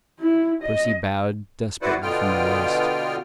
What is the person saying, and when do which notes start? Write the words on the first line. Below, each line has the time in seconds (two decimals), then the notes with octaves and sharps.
Percy bowed, desperately, from the waist.
0.19 E4
0.63 D#5
1.82 E4 F#4 B4 C5 D5 F#5
2.02 B2 D3 B3 F4 G5 F6